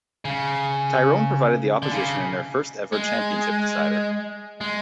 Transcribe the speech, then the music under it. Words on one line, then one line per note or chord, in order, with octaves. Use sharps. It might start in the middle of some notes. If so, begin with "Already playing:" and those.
Tyrone provided the opposition in their first-ever championship decider.
C#3
D3
C#3
G#3
G#3